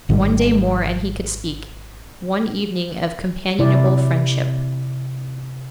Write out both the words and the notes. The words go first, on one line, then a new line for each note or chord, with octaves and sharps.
One day more and he could speak--one evening of companionable friendship.
G#1 G#2 D#3 G3
C3 E4 D5